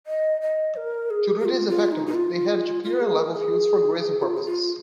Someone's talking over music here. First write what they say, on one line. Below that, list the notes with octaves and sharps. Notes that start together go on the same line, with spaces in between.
To do this effectively, they had to clear and level fields for grazing purposes.
D#5
D#5
A#4
G#4
G#4
F4
F4
D#4
D#4
F4
F4
G#4
A#4
G#4
F4
G#4
F4